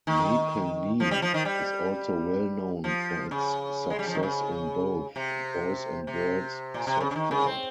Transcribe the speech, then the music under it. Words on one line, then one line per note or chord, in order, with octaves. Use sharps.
Napanee is also well known for its success in both boys and girls softball.
D#3
F3
G3
F3
D#3
G3
F3
C#3
G#3
G3
F3
D#3
C#3
C3
C3
A#2
C3
C#3
C#3
D#3
C#3
C4